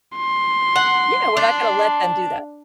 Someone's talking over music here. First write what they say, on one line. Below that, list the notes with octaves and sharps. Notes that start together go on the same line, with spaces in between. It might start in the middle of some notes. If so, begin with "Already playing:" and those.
Yeah, we're not gonna let them do that.
C6
F#5
D4